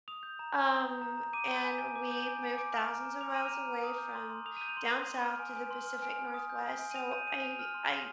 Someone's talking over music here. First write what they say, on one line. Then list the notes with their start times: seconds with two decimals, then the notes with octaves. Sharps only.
um, and we moved thousands of miles away from down south to the Pacific Northwest. So I I
0.08 D#6 F7
0.23 G6
0.39 A#5
0.55 A#5
0.71 D#6
0.86 G6
1.02 A#5
1.18 A#5
1.33 D6 D#7
1.48 G6
1.64 G#5
1.80 G#5
1.96 D6
2.11 G6
2.27 G#5
2.43 G#5
2.58 D6 D7
2.73 F6
2.89 A#5
3.05 A#5
3.21 D6 F7
3.34 F6 D#7
3.47 F7
3.52 A#5
3.68 A#5
3.83 D#6
3.98 G6
4.15 C6
4.30 C6
4.46 D#6 F7
4.57 G6 D#7
4.69 F7
4.77 C6
4.93 C6
5.09 C6
5.24 F6
5.39 G#5
5.55 G#5
5.71 C6
5.87 F6
6.02 G#5
6.18 G#5
6.34 D#6
6.50 G6
6.65 G#5
6.81 G#5
6.91 D#7
6.95 D#6 F7
7.12 G6 D#7
7.27 G#5 D#7
7.42 G#5 F7
7.59 F6
7.74 C6
7.90 C6